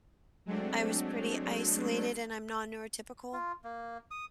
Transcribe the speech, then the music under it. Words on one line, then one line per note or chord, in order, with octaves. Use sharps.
I was pretty isolated, and I'm non-neurotypical.
F#3 G#3 A3 C4 D4
F4
A#3
D#6